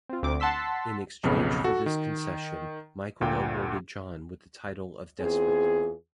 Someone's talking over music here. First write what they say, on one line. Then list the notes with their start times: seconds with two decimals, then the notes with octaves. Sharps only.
In exchange for this concession, Michael awarded John with the title of Despot.
0.09 C4 F4
0.23 D2 C4 D6
0.40 F#5 A5 C6 E6 B6
1.23 B1 F2 C#3 B3
1.64 F#4 A4
1.86 D#3
3.21 D2 A#2 A#3 G5
5.19 E2 C4 F4 G#4